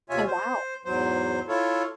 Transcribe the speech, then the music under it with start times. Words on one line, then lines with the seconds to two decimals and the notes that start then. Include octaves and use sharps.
Oh, wow.
0.10 D#2 C3 F4 C#5 E5 G#5
0.27 C5
0.85 E2 G#2 F#3 C5
1.48 E4 F4 A4 C#5